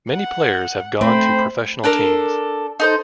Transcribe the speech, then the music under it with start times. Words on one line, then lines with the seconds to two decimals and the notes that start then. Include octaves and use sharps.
Many players have gone to professional teams.
0.10 F#5
1.01 A3 C4 C5 B5
1.84 D4 A4 A#4
2.80 D#4 A4 C5